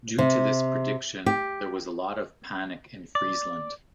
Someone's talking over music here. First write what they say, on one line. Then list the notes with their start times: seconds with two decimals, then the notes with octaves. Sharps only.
Due to this prediction there was a lot of panic in Friesland.
0.18 C3
1.26 G4
3.15 D5